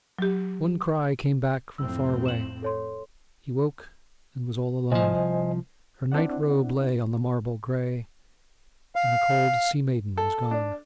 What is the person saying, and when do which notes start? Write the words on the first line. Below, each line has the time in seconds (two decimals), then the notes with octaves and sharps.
One cry came back from far away: He woke, and was all alone. Her night robe lay on the marble grey, And the cold sea-maiden was gone.
0.19 F#3 G4
1.78 F2 A2 C4 E6
2.26 E7 F#7
2.62 A4 C#5 C6
4.92 C2 F3 C5 D#5 G#5
6.12 C4 D4 E4 D5 F#5
8.96 F5
10.17 A4
10.51 D4